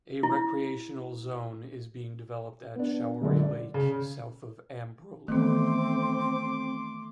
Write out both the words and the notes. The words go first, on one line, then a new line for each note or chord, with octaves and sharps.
A recreational zone is being developed at Shaori Lake, south of Ambrolauri.
E4
B3 D4
C#2 F#2 D3
D5
C#3
D#3 E3 A3 B3 C4 C6 D6